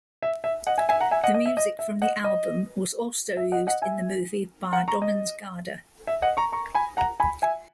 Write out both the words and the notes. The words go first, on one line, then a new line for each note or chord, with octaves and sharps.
The music from the album was also used in the movie "Barndommens gade".
E5
E5
D#5 F#5
E5 G#5
E5 G#5
F#5 A#5
E5 G#5
D#5 F#5
D#5
E5
D#5
E5
D#5 F#5
D#5
E5
D#5 F#5
D#5 F#5
E5 G#5
F#5 A#5
A#5 C#6
D#5
E5
D#5 F#5
A#5 C#6
A#5 C#6
G#5 B5
F#5 A#5
G#5 B5
E5 G#5